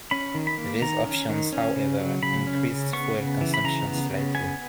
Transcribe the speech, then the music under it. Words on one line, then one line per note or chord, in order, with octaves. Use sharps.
These options however, increased fuel consumption slightly.
C#4 B5
D#3
B5
A#3
D#3 A#5
C#4
D#3
C#4
C#3
F#3
C#3 B5
C#4
C#3
B3 C#6
C#3
E3
B5
C#3 A#5
B3
C#3
B3 G#5